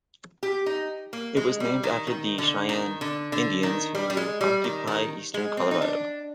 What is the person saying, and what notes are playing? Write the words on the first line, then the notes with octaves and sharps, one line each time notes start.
It was named after the Cheyenne Indians who occupied eastern Colorado.
G4
D#4
A#3
G#3
G3
D#3
D#3
D3
D#3
D3
D3
D#3
G3
G3
G#3
G3
D#3
D#3
G#3
C4
D#4
D4